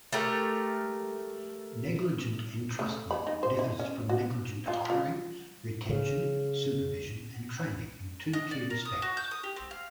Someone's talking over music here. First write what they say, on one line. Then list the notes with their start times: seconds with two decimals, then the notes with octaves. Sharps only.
Negligent entrustment differs from negligent hiring, retention, supervision, and training in two key respects.
0.13 A3 G4 A#4
2.79 A3
3.11 B5
3.27 D#4
3.43 C5
3.59 E4
3.79 C#4
4.09 F#4
4.68 F4
4.90 F4
5.89 C#3
8.33 D#5
8.51 D5
8.70 A#4
8.85 D#6
9.02 F#4
9.17 G6
9.31 D#6
9.43 G4
9.56 C4
9.71 F5